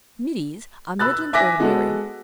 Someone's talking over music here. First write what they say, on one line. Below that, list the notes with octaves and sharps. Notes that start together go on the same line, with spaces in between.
Middies are Midland Ordinary.
B5 E6 F#6 A6
E5 G#5 D6 F#6 A#6 B6
G#3 B3 F#4 A4